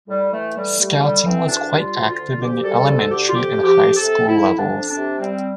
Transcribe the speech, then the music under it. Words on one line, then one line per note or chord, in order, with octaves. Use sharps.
Scouting was quite active in the elementary and high school levels.
A2 G3
E3 A3
A2 G3
G3 A3
A2 G3
E3 C4
D2 D4
G3
F4
D2
F4
D3
D2 G4
G3 A4
D2 A4
D3 G4
F4
F2 G4
F3
G4
F2
A4
C3
F2 E4
F3
D4
F2
D4
C3
G3 C4